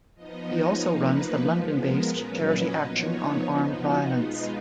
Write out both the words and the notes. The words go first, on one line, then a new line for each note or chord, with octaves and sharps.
He also runs the London-based Charity Action on Armed Violence.
F3 B3 D#4 D#5
C#5
F3 A#3 D#4 B4
F3 G#3 B3
A#4
A#2 F#3 C#4 B4
D#5
F3 B3 D#4 C#5
F3 B3 D#4
F#4
B2 G#3 B3 D#4 F4